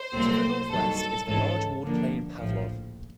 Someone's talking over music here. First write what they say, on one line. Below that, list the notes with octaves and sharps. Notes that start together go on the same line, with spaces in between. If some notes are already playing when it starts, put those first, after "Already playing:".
To the northwest is the large walled plain Pavlov.
Already playing: C5
C2 A#2 F#3 A3 C4
G2 D#3 F#3 A4
A4
G#2 E3 G#3 C#4 A4
G2 D3 F3 A#3 D4
A#1 A2 F3